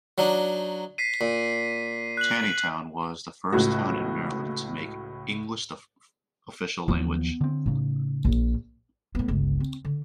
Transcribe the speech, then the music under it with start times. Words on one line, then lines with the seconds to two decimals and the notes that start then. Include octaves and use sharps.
Taneytown was the first town in Maryland to make English the official language.
0.18 F#3 D4 D#4
0.98 B6 C7 D#7
1.21 A#2
2.17 F#6 F#7
3.53 C#2 A2 F#4
6.88 D#2 E3 F3 B3
7.41 D3 C4
7.66 A2 C#3 D#4
8.25 A#1 A#2
9.15 A2 B3
9.28 G1 C#2
9.60 C4
9.85 D3